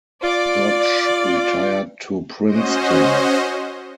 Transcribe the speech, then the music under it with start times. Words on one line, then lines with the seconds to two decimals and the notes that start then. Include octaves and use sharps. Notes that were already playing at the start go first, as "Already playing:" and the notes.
Dodge retired to Princeton.
0.23 F4 D5
2.45 C#4 F#4 C5 D#5